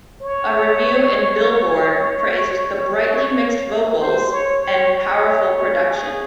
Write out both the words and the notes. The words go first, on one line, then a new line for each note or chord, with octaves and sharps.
A review in "Billboard" praised the "brightly mixed vocals" and "powerful production".
C#5
C#5
C5
C#5
C#5
C#5
G#4